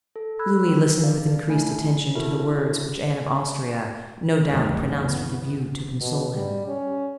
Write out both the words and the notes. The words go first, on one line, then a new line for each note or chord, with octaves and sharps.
Louis listened with increased attention to the words which Anne of Austria, no doubt, pronounced with a view to console him.
A4
B5 E6 F#6 G#6
C4
D5 F5
A3 D4 E4 G#5
D4 E4 F#4 A4 A#4 E5
F#1 D2 G2 C3 D#3
E3 B3
B2
G3
C#4